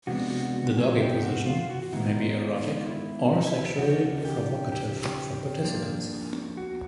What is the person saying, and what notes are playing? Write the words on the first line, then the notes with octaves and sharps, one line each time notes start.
The doggy position may be erotic or sexually provocative for participants.
C3 F3 G#3 B3 D4 F#4
F#4
F#4
G4
G#4
G4
F#4
F4
F#4
D#3 G#3 B3 D#4 E4
D#4
F4
E4
E4
D#4
E4
C#3 F3 A#3 D#4 F#4
G4
G4
F3 A#3 D4
F#4